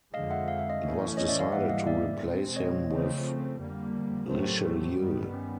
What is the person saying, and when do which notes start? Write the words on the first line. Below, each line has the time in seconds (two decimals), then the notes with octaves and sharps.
It was decided to replace him with Richelieu.
0.13 F2 D3 F3 G#3 D#5 F5
0.31 E5 F#5
0.48 F5
0.59 E5
0.70 D#5 F5
0.83 A2 E3 A3 C#4
1.17 C#5 D#5
1.29 D5 E5
1.40 D#5 F5
1.51 G#2 E3 G3 A#3 E5 F#5
1.70 D#5 F5
1.87 D5 E5
2.21 B2 G#3 C4
2.56 C#5 D#5
2.90 C#3 F3 A3 C4 C#5 D#5
3.60 F2 D3 G3 A#3
4.29 A2 F#3 A3 C4 A#4 C5
4.47 G4
4.64 G4
4.99 G2 D#3 G3 B3
5.34 C#4